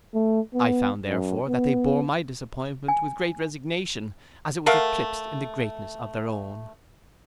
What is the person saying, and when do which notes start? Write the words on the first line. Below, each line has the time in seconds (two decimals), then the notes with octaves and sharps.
I found, therefore, that they bore my disappointment with great resignation, as it was eclipsed in the greatness of their own.
0.14 A3
0.54 B3
1.07 F#2
1.48 B3
2.88 G#5
4.66 A3 A#4 F5 F#5